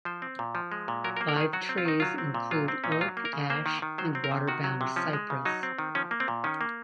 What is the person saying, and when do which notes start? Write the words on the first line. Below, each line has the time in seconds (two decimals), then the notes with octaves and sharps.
Live trees include oak, ash, and water-bound cypress.
0.05 F3 C5
0.22 C4
0.39 A#2
0.55 F3
0.72 G#3
0.88 A#2
1.04 F#3 A#4
1.17 A#4
1.21 A#3
1.28 A#4
1.36 D#3 G#4
1.53 F#3 F#4
1.69 C4
1.78 F4
1.85 D#3 D#4
2.00 F#3 F4
2.18 C4
2.34 A#2
2.51 F#3 F4
2.68 C4
2.84 A#2 C#4
2.92 D#4
3.01 F#3 F4
3.17 A#3
3.25 A#4
3.33 C#3
3.50 A#3 C5
3.66 D#3
3.82 D#3
3.98 F#3 C5
4.15 C4
4.24 A#4
4.31 C3
4.48 D#3 F#4
4.64 F#3
4.81 C3
4.96 F3 C#4
5.13 G#3
5.30 C#3
5.45 F#3 D#4
5.63 C4
5.78 D#3
5.95 F3 C#4
6.11 A#3
6.20 C4
6.28 A#2
6.44 D#3 C#4
6.61 A#3